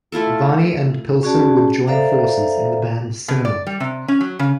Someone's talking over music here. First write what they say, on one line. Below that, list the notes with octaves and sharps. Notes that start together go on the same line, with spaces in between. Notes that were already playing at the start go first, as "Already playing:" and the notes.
Varney and Pilson would join forces in the band Cinema.
A3 E4 F4 A4
C#4 F#4 G#4 D5 A5
A4 C5 D5 E5 F5 A#5
B2
D5
G3
C3
C#4
F#3
C#3